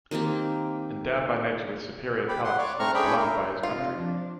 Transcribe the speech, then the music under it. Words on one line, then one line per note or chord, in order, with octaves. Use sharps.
Endowed by nature with superior talents, he was beloved by his country.
D#3 A#3 C4 G4
G4 B5
F#5 C6
C#5 D5
A3 C4 A#5 C#6 F6
C#4 D4 G#4 C#5 G5 B5
A#4 E5
C3 D#4 F4
F3 D4